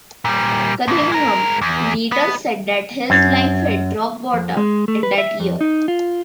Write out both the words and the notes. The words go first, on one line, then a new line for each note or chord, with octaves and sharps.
Cunningham later said that his life hit "rock-bottom" in that year.
A#2 G3
A2 E3
G#3 A#4
E2
B3
F#2
F2
G#3
A3
B4
E5
F2
D#4
F4